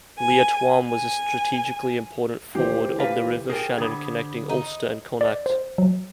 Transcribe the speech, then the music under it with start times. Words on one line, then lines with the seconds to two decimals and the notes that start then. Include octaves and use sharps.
Liatroim was a strategically important ford of the River Shannon connecting Ulster and Connacht.
0.18 G#5
0.85 G#5
2.55 D2 E3 G4 C5 C7
3.00 B4 F5
3.50 G#4 A#4 G5 C7
3.78 D3 B5 D#6 G#6
4.49 D#4
5.21 D5
5.46 C5
5.78 F#3